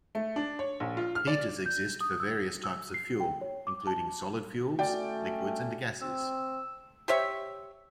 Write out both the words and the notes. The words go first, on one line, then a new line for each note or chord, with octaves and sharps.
Heaters exist for various types of fuel, including solid fuels, liquids, and gases.
A3
D4
C#5
A#1
F4
F6
D5
G6
D#6
E6
E6
C7
G5
C#5
D6
A5
A3 C#4 F#4 D5 G5
C4 E6
G4 C5 C#5 E5